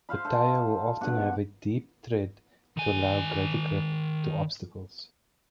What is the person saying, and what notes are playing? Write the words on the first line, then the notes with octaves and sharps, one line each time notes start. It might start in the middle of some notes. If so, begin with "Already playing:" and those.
The tire will often have a deep tread to allow greater grip to obstacles.
C5 F5 B5
A4 C5 F5
G2 B2 F#5
D#3 G#5